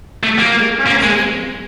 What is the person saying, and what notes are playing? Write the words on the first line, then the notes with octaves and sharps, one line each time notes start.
I mean, just kinda see w
A3
A#3
A#3
G#3